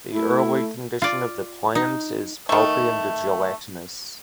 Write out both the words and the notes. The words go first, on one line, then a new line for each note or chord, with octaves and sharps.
The early condition of the plant is pulpy and gelatinous.
A3 E4
F4 D5
D#4
D#3 A3